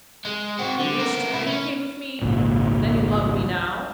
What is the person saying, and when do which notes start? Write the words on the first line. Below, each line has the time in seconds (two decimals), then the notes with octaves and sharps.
"You wish to communicate with me;--then you love me now?"
0.25 G#3
0.59 C4 F#4
0.79 D3
0.99 B3 A#4
1.34 C3 E4
1.47 C#4
2.22 G#1 C#2 A#2